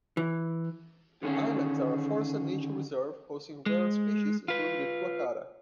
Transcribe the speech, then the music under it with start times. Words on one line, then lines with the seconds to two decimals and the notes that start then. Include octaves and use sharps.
The islands are a forested nature reserve hosting rare species including the tuatara.
0.17 E3
1.23 D3 D#3 C#4 G#4
3.66 G#3
4.48 F4 B4